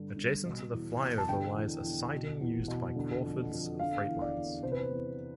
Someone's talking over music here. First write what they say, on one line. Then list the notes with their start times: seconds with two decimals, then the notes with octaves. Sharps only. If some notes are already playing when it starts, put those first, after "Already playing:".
Adjacent to the flyover lies a siding used by Crawfords Freightlines.
Already playing: G2 D3
0.16 G2
0.45 B2
0.72 E2
1.01 B2
1.18 A5
1.29 D3 G5
1.56 E2
1.84 E2
2.13 B2
2.40 E2
2.68 B2
2.96 D3
3.24 F2
3.52 F2
3.79 D3 F5
4.07 E2
4.22 D5
4.35 E2
4.63 C3 C5
4.72 B4
4.80 C5
4.91 E2